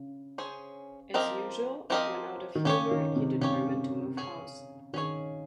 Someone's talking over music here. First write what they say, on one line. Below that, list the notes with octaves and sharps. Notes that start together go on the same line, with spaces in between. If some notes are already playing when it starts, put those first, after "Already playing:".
As usual, when out of humour, he determined to move house.
Already playing: C#3
C#4 G#4 C5
F3 C4 G4 A#4 D#5
F3 C4 G4 A#4 D#5
D#3
C#3 C#4 G4 C#5
D#3
C3
C#3 C#4 G4 C#5
C#4 G#4 C#5
D#3 C#4 G#4 C#5